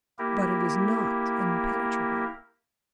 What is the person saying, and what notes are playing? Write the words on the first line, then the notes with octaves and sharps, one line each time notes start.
But it is not impenetrable.
A#3 E4 G4 A#4